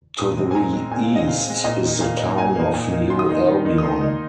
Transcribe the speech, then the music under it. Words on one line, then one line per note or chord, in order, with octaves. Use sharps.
To the east is the town of New Albion.
A#2 D#6
G#3 C4
G#5
A#2 A#5
G#3 C4
A#2 G#5
F5
G#3 C4
D#5
A#2 F5
G#3 C4
A#2 D#5
A#3 D#4
A#2 F5
A#3 D#4
A#5
A#2 G#5
A#3 D#4
A#2
A#3 D#4
D#3 C6
D#6
A#3 D#4 C6
D#3
A#3 D#4
D#6
D#3 C6
A#3 D#4